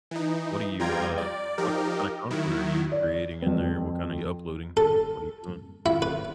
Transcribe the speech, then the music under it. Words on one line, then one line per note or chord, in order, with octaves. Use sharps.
What do you, uh, what what kinda content are you creating in there? What kind are you uploading? What are you doing?
E3 D#4
F2 G3 F4 G5 A#5 G#6
D5
F3 D#4 G4 A#4
D#3 F#3 E4
D5
F2 C4
A4
E4
B4